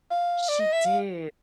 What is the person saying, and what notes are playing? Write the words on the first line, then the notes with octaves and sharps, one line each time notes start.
she did,
F5
D5
D#5
E5
F5